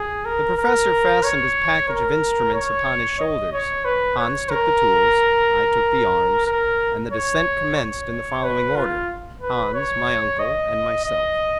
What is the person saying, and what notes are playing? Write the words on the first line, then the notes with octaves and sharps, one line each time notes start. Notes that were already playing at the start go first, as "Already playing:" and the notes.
The Professor fastened his package of instruments upon his shoulders; Hans took the tools; I took the arms: and the descent commenced in the following order; Hans, my uncle, and myself.
Already playing: G#4
A#4
A#4
C#5
A#4
C#5
D#5
C#5
B4
C#5
A#4
A#4
C#5
C#5
B4
F4
B4
C#5
D#5
D#5